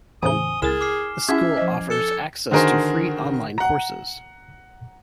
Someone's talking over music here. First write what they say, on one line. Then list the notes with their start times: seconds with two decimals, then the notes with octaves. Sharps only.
The School also offers access to free online courses.
0.23 E2 A2 C#3 C5 G#5 D#6 G7
0.62 C#2 E4 G#4 A#4 G#5 F6 A6 E7
0.81 D6 F6 C7
1.29 C#4 E4 F#4 G#4 E5 G#6
1.57 F3 C5 D#5
1.90 A4 C#7 E7 G7
2.51 D3 D#3 F#4 G#4 A#4 C5
3.58 F#5 A#5